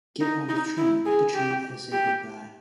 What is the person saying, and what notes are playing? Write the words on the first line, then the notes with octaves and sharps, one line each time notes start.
Get on the train, the train and say goodbye.
D#4
D#4
E4
G#4
G4
G4